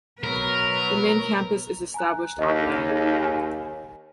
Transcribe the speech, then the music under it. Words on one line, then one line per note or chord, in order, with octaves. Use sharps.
The main campus is established on land.
B2 F#3 B3 A#4 B4
G#5 A#5 F#6
D#2 D#5
D#4 G#4 D#5
G#5